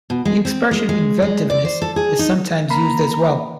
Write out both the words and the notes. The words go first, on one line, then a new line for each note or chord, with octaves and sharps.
The expression "inventiveness" is sometimes used as well.
B2
G#3
C4
G#3
G#3
G#3
D5
C5
A4
G#4
D#4
A#3 A#5 B5